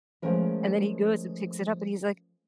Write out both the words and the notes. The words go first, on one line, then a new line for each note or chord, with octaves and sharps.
and then he goes and picks it up and he's, like,
F3 G#3 A3 C#4 A#4 B4